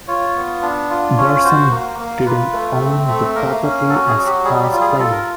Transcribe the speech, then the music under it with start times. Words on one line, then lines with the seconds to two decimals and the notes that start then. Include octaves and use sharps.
Bursum didn't own the property as Klass claimed.
0.08 F4 C#5
0.36 B3
0.62 D4
0.90 F4
1.17 C#4 C#5
1.36 C#5
1.44 F#4 C5
1.71 A#3
1.99 A#3
2.26 F4 B4
2.53 A3
2.81 C4
3.08 A3
3.36 A#3 A#4
3.63 C#4
3.89 F#4 A4
4.08 G#4
4.17 F#3
4.26 G4
4.44 G3 G#4
4.62 G4
4.71 F4
4.81 G#4
4.99 F4 A4
5.11 A#4